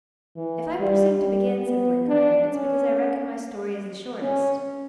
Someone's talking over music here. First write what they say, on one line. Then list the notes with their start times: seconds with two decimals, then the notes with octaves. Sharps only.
'If I presume to begin,' said Blenkiron, 'it's because I reckon my story is the shortest.
0.36 E3
0.79 G3
1.22 G3
1.65 B3
2.08 D4
2.50 C#4
4.21 C#4